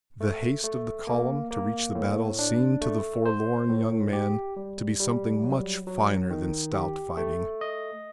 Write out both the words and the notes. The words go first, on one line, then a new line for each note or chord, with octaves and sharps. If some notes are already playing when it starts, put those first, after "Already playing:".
The haste of the column to reach the battle seemed to the forlorn young man to be something much finer than stout fighting.
A3
A3
A#3
A#3
A2
D4
A3
C5
A2
G4
G3
G3
F#3
F#3
D#3
G4
A3
D#5